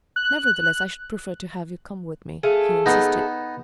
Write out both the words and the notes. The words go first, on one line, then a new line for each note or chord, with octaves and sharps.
"Nevertheless, I should prefer to have you come with me," he insisted.
F#6
A3 G#4 F5
B3 D#4